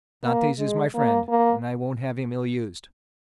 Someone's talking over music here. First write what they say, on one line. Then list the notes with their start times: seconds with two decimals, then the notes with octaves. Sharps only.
"Dantes is my friend, and I won't have him ill-used."
0.24 A#3
0.59 G#3
0.95 A#3
1.29 A#3